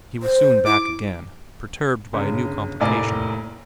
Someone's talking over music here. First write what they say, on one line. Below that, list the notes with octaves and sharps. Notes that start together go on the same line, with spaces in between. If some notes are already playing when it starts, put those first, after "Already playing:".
But he was soon back again, perturbed by a new complication.
C5
E4 D6
G1 C#3
F1 A2 A#3 D5 G#5